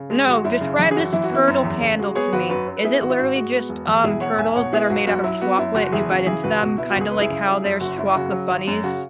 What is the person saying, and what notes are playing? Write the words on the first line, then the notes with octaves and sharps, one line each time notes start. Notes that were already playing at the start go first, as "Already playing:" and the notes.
No, describe this turtle candle to me. Is it literally just, um, turtles that are made out of chocolate and you bite into them, kinda like how there's chocolate bunnies?
Already playing: C#3
G#3
G#1 F#4
F#2 E4
C#3
E3
G#4
F#2 F#4
E3 E4
F#4
B3 E4
F#2
E2
C#3
G#3 F#4
B3 G#4 C#5
G#1 F#4 B4
F#2 F#4 B4
F#3
B4
B3 E4 G#4
G#1 F#4
E4
G#2 F#4
G#3 F#4
B3
E1
E2
B2 E4 G#4
E1 C#5 F#5
B1 E5 G#5
B2 C#5 F#5
B3 E4 G#4
B1 F#4
F#2 F#4
F#3 E4
B3 F#4
F#2 E4
F#1 F#4
E2 E4 G#4
C#3 F#4
E3 E4 G#4
C#2 F#4 B4
B2 F#4
B3 E4
F#4
C#2 G#4
F#2 B4
E4 G#4
C#3
F#3
F#2
F#1 F#4
F#2 E4
C#3 F#4
F#3
G#1
F#2
C#3 F#4